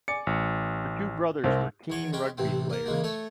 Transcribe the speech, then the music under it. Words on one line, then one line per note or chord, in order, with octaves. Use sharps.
Her two brothers were keen rugby players.
D5 G#5 C#7
A1
C2 C4 A#4
E2 C#5 C#6
G#3 C#4 G5
A1 C3 E3 C4
A#3 A#4
C#3 E3 G#3 A#3
A3 C#5